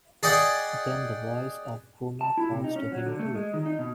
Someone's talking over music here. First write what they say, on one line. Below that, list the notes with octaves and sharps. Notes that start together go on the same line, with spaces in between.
Then the voice of Groma calls to him too.
G#4 D5 D#5 F#5 G5
A5
E4
C3
D#4
C#4
F#3
D3
A3
G#3
D#3
D#4
B2